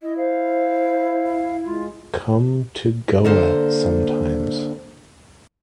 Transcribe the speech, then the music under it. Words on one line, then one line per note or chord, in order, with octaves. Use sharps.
Come to Goa sometimes.
E4 D#5
C5 F5
G#3 F4
D3 A#3 C5